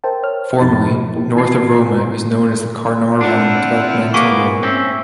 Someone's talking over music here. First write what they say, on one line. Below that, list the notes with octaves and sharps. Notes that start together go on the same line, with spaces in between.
Formerly, north of Roma it was known as the Carnarvon Developmental Road.
A#4 C5 E5 G5 A5
C#5 F6
F#2 F3 D#4 A#5 B5 A6
F3
A#3 E4 G4
E3 A5 G#6 C7
C4 D4 E4 F4 F#5
A#3 B3 G#4 C#6 D6
C4 C#4 E5